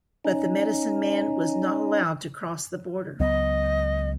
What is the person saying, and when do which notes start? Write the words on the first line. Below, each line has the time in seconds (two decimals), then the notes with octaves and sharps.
But the medicine man was not allowed across the border.
0.25 C#4 D#4
3.20 C#2 F#3 B3 D#5